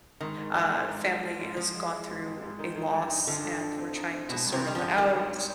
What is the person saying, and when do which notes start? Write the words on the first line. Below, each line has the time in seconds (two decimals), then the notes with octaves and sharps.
uh, family has gone through a loss, and we're trying to sort all that out.
0.21 G#2 D#3
0.37 G#2
0.54 G#2
0.72 G#2
0.88 G#2
1.05 F3
1.23 F3
1.40 G#2
1.57 G#2 F3
1.74 G#3
1.92 G#3
2.08 G#2
2.25 G#1
2.42 G#2
2.59 D#3
2.76 D#3
2.94 G2
3.11 D#4
3.27 D3 F3
3.45 G2
3.61 F3
3.78 C4
3.96 D#4
4.13 C4
4.29 G#1 B2
4.47 G2
4.53 C3
4.63 G2 G3
4.75 F3
4.81 G#1
4.97 D#3 G3
5.15 G#1